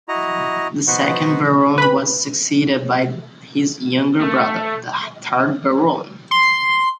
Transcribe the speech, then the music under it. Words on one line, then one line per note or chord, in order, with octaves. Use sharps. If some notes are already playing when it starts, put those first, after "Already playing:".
The second Baron was succeeded by his younger brother, the third Baron.
E4 F#4 D#5 A#5
B3 D#4 F#4 B4 C5 F#5
B4 B5
A3
C6